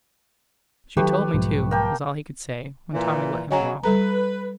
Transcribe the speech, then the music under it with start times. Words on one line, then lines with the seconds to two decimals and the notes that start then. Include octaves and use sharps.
"She told me to," was all he could say, when Tommy let him alone.
0.97 D#3 F#3 A3 G4 B4
1.34 B1 G#2 F3
1.71 A#3 G5 A5
2.94 A#2 E3
3.51 C#3 F#3 D#5 G#5 A#5
3.83 G3 A4 B4 A#5